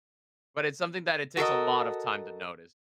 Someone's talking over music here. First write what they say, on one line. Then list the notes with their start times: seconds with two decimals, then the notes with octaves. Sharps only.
But it's something that it takes a lot of time to notice.
1.37 F#4 A4 A#4 D#5